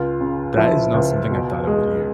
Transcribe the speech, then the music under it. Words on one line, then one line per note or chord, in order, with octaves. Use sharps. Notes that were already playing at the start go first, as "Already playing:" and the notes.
That is not something I thought I would hear.
Already playing: C#2 F4
C#3
F3 E4
C#2
B2
G#3